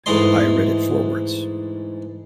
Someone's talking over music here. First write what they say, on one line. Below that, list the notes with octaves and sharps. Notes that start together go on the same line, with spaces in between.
I read it forwards.
G#2 E3 G#3 A3 D#5 C6